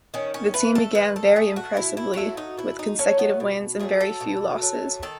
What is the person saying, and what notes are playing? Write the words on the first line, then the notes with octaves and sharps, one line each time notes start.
The team began very impressively, with consecutive wins and very few losses.
D#3 C#4
C#4
A3 B4
A4
D#3 B4
A4
A3 G#4
F#4
B2 E4
E4
F#4
F#3 A3 E4
D#4
B2 E4
D#4
F#3 A3 C#4
B3
B2
F#3 A3 G#4
A4
B2
F#3 A3
D#3 A4